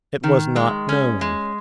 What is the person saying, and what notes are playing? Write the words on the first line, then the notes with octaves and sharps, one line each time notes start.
It was not known.
D#3
G#3
C#4
G#3